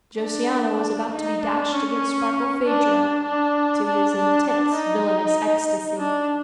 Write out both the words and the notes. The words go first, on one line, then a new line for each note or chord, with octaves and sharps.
Josiana was about to be dashed against Barkilphedro, to his intense villainous ecstasy.
D4
D#4
D4
C#4
D4
D4
D4
D4
D4
D#4
D4